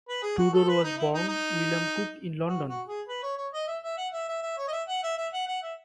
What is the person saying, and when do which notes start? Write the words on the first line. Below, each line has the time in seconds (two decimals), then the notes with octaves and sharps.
Tudor was born William Cook in London.
0.09 B4
0.23 G#4
0.38 F#4
0.53 A4
0.68 B4
0.83 D#4
0.98 E4
1.14 D#4
1.28 D#4
2.48 F#4
2.68 F#4
2.87 G#4
3.08 B4
3.23 C#5
3.37 C#5
3.53 D#5
3.67 E5
3.83 E5
3.97 F#5
4.13 E5
4.28 E5
4.42 E5
4.58 C#5
4.68 D#5
4.72 E5
4.88 F#5
5.03 E5
5.17 E5
5.33 F#5
5.47 F#5
5.63 E5